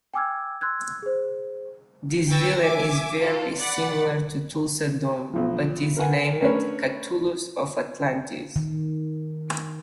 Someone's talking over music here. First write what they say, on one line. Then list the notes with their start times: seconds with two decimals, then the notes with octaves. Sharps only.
This villain is very similar to Thulsa Doom, but is named "Kathulos of Atlantis".
0.14 G5 G#5 D6 E6 F6 G#6
0.61 C6 E6 F#6 G#6
1.02 G#4 C5
2.29 B4 G5 C#6 E6 A6 A#6
2.60 E5 G#5 D6
3.19 F4 A4
3.57 D5 F#5 B5 A6
5.34 B1 F3
5.97 A#4 B4 F#5 G#5
6.41 A3 C#4 D4 A#4 B4 C#5
8.56 D#3